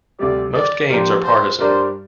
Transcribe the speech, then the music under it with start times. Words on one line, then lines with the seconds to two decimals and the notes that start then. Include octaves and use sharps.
Most games are partisan.
0.19 D2 C3 G3 D5
0.55 D5
0.90 F3 A#3 D4 G4 C5
1.25 C5
1.60 G2 G3 D4 A#4 C5 D5